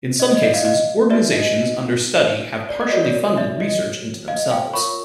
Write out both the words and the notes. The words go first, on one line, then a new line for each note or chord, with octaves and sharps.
In some cases, organizations under study have partially funded research into themselves.
D#5
D#5
D5 E5
D#5 F5
D#5 F5
D#4 F#4 B4 D5 E5
D#5
D5
D#5
F#4 A#4 C#5 D5
D5
D5
D5 E5
D#5
D#5 F5
F5 G5
F4 A#4 C#5 B5 C#6